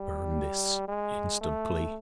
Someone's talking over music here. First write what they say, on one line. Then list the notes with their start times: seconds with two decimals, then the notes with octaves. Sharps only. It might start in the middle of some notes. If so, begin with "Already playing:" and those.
Burn this instantly.'
Already playing: G3
0.88 G#3
1.41 A3